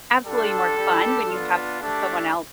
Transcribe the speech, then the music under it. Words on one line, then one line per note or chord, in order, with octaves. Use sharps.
absolutely more fun when you have someone else
G3 D4 F4 A4
G3 D4 G4
B3 D4 F4
A3 D4 G4 A4